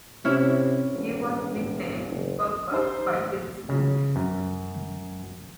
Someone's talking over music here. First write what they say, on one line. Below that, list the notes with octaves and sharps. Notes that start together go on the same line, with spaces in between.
He was nicknamed "Buck-Buck" by his schoolmates.
C3 C#4 E4
E1
F#1
D#4 G4 C5
C#3
F#2